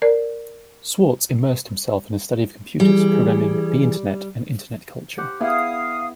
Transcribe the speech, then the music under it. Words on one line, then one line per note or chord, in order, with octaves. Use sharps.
Swartz immersed himself in the study of computers, programming, the Internet, and Internet culture.
A#4 D5
E3 G3 G#4
G4 C5 F#5
B3 E4 G#4 F5 D#6